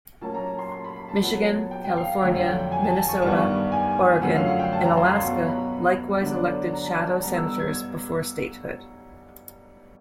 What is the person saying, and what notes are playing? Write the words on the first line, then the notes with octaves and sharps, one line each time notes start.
Michigan, California, Minnesota, Oregon, and Alaska likewise elected shadow senators before statehood.
A#2 F#3 A#3 C#4 A5
A#5
C6
C6
B5
B5
A5
A#2 F#3 B3
G5
G5
F5
F2 D3 F#3 G5
F#5
G5
G5
G#5
A5
A5
C#6
G2 D#3 G3 B3 C#6
G#5
F#2 D3 F3 A3 C#4 F#5
F5
F#5
G5
A5
A#5
C6
B2 F#3 B3 C#6
A#5
B5
D3 F#3 B3 D4
A#5
A5
A5
A5
B2 G3 B3 A#5
E6
E6
G#6